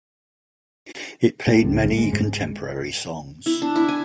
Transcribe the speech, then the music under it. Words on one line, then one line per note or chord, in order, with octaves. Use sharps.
It played many contemporary songs.
A2
C#2
G1
G#3
G#2
E4
D4
E4
G#5